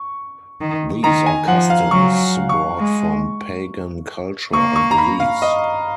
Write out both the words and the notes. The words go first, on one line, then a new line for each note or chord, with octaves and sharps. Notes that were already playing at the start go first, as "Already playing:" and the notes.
These are customs brought from pagan culture and beliefs.
Already playing: C#6
D#3
D#3 A#5
G#5
F3 F#5
F5
F#3 C#6
C#6
G#3
A#3 C#6
C#6
A#5
B5
F5
D#5